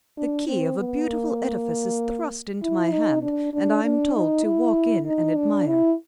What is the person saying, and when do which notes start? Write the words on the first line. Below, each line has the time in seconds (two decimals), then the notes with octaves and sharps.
The key of a beautiful edifice is thrust into my hand, and I'm told to walk in and admire.
0.18 D4
0.48 C4
0.79 B3
1.08 A#3
2.62 E4
2.92 D#4
3.22 D4
3.53 D4
3.84 D4
4.15 D#4
4.45 E4
5.06 D#4
5.36 D4
5.67 E4